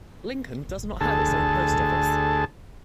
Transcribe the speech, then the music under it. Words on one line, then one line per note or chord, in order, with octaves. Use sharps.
Lincoln does not have its own post office.
D2 G#4 A4 A5